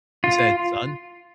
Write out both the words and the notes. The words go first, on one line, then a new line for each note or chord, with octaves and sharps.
He said, "Son,
F4